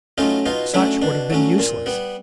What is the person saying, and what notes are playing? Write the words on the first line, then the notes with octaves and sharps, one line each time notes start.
Such would have been useless.
F#3 A3 C#4 D#4 F4
B2 D#4 F4
F#3 A3 C#4 D4 E4
B2 D4
F#3 A3 C#4
A#2
G3 B3